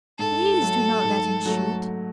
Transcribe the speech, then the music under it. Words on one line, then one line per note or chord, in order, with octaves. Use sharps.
"Please do not let him shoot!"
G#2 A4
F#3 A3
G#2
F#3 A3